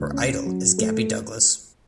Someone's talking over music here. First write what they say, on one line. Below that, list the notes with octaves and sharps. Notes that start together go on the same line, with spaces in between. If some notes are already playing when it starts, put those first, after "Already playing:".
Her idol is Gabby Douglas.
Already playing: D2
C#4
F#3
A3